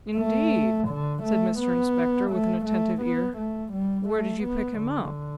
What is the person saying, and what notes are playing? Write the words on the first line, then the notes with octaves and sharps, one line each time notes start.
'Indeed?' said Mr Inspector, with an attentive ear; 'where did you pick him up?'
A3
D3
A3
B3
A3
A3
B3
A3
G3
A3
B3
D3